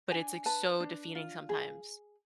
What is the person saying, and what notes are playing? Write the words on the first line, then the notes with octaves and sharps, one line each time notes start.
but it's, like, so defeating sometimes
D4 G#5
B4 A5
D4
F4
G#4